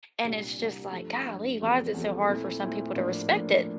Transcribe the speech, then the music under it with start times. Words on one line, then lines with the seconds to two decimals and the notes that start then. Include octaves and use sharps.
and it's just like, "Golly, why is it so hard for some people to respect it?"
0.24 C2 A#2 G3 D4
0.58 C2 A#2 G3 D4
0.92 G2 F3 A3
1.26 G2 F3 A3
1.60 E2 C3 F3 A3
1.94 E2 C3 F3 A3
2.28 A#2 A3 C4 E4
2.62 A#2 A3 C4 E4
2.96 A2 F3 A#3 D4
3.30 A2 F3 A#3 D4